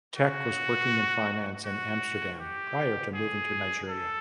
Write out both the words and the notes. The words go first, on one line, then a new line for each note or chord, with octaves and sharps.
Tec was working in finance in Amsterdam prior to moving to Nigeria.
F#4
F#4
G4
G#4
A4